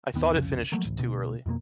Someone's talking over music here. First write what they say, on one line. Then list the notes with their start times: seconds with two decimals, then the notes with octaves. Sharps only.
I thought it finished too early.
0.14 D1 D#2 D#3 B3
0.32 C2 F2 C#3
0.72 F3 F#3 A3 A#3
0.85 D1 A1
0.99 D2 B2
1.46 F2 B2 G#3 A#3